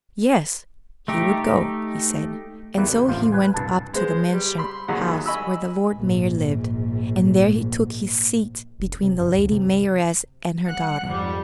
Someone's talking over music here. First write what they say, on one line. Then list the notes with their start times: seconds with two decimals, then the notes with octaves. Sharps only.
"Yes, he would go," he said; and so he went up to the Mansion House where the Lord Mayor lived, and there he took his seat between the Lady Mayoress and her daughter.
1.08 A3 D#4 G4
2.77 E2 G3 A#3 E4 B4
2.92 C#2
3.08 A1 F2 F4 C5
3.32 B4 G#5
3.54 C2 G2 A5
3.94 G#3 B3 C5
4.34 G3
4.58 B5 C6
4.88 G#1 D#2 D#3 F#3 F#5
5.26 D#5 G#5 B5 C#6 E6
5.95 A#1 G#2
8.79 E1
9.03 C3
9.20 F#2
9.38 D2
9.52 C3
10.67 G3 F#5 F#6
11.05 F2 G#2 G3